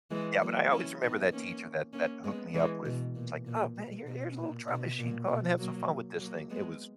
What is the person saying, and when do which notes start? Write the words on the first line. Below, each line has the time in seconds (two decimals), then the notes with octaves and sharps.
Yeah, but I always remember that teacher that that hooked me up with it's like, "Oh, man, here here's a little drum machine, go on and have some fun with this thing. It was
0.11 E3 G#3
0.41 F#3 A#3
0.71 C#4 E4
1.02 B3 D#4
1.32 A#3 C#4
1.93 A#3 C#4
2.24 G#3 B3
2.54 E3 G#3
2.85 B2
3.15 A#2
3.46 A#2
3.76 B2
4.07 B2
4.37 A#2
4.68 B2
4.98 A#2
5.28 B2
5.58 F#3 A#3
6.19 F#3 A#3
6.50 G#3 B3